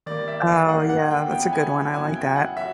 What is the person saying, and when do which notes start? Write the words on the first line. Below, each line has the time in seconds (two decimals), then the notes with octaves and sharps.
Oh, yeah. That's a good one. I like that.
0.06 D#3 G3 A#3 D5
0.28 E5
0.48 F5
0.69 D#3 G3 A#3 F#5
0.89 F#5
1.11 G5
1.31 C#3 F#3 B3 E4 G5
1.53 G#5
1.94 C#3 F#3 B3 E4 G#5
2.16 G5
2.36 F#5
2.57 F#3 E5